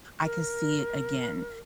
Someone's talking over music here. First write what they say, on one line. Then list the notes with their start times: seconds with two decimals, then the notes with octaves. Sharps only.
I could see it again,
0.23 A#4